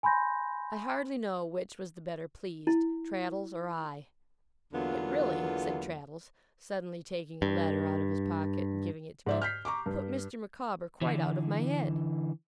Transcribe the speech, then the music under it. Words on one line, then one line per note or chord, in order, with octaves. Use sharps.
I hardly know which was the better pleased, Traddles or I. 'It really,' said Traddles, suddenly, taking a letter out of his pocket, and giving it to me, 'put Mr. Micawber quite out of my head!'
G#5 B5 C6 G6 A#6
E4
E2 D3 F#3 A#3 B3 F4
G2
G#2 D5 E5
F6 G6 B6 C7
A#5 C#6 D6
G2
D3 E3